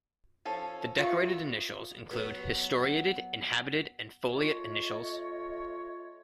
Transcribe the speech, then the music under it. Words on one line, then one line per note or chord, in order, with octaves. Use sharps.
The decorated initials include historiated, inhabited, and foliate initials.
F3 C#4 A4
A#3 B3 F4 E5 F5 C#6
F#3 B3
A3 F4 C#5 D#5